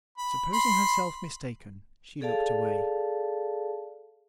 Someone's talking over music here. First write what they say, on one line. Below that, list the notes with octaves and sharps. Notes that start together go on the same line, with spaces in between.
Supposing herself mistaken, she looked away.
B5
B5 C6
G#4 A4 D5 F5 A5